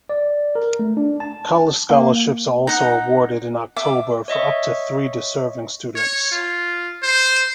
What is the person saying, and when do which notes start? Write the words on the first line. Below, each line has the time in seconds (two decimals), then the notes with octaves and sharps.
College scholarships are also awarded in October for up to three deserving students.
0.09 D5
0.55 A#4
0.79 A3
0.97 D4
1.20 A5
1.90 A#3
2.67 D#4 F#5
3.76 E5 D6
4.28 C#5 D#5 E5 C#6
5.95 C#5
6.32 F4
7.03 C5